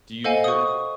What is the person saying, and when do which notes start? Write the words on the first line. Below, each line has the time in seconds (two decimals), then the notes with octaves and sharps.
Do you fee
0.24 A4 C5 D#5 F5 F#5 G#5
0.44 C#6 D#6